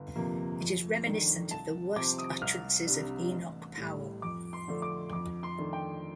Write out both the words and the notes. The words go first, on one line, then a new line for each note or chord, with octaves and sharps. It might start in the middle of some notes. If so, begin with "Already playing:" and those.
It is reminiscent of the worse utterances of Enoch Powell.
Already playing: G1
F2 C3 F3 A#3
F2
D#3 A3 D4
C2 A5
C3 F3 C4 D6
D#6
C2 F6
C3 G3 D4
A1
A2 G3
F2 D6
C6
D3 F3 A3 D4
D6
F2 D6
C6
D#3 A3 D4
G5